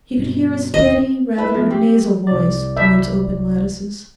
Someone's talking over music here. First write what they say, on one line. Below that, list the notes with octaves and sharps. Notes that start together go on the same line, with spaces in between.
He could hear a steady, rather nasal voice through its open lattices.
G2 B2
F#1 D#2 B2 D#5
E4 B4 E5
F3 B3 F4
C4 G4
C2 D5
E5